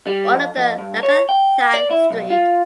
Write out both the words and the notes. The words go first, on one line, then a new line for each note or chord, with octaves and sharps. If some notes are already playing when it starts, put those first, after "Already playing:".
All of the Langenthal–St.
G3
F2
F2
G2
C#5
G5
D5
E4
B1
F4